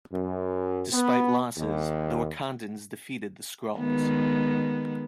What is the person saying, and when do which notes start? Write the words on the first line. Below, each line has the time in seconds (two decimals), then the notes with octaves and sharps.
Despite losses, the Wakandans defeat the Skrulls.
0.12 F#2
0.92 B3
1.57 D#2
3.78 D#3 G#3 B3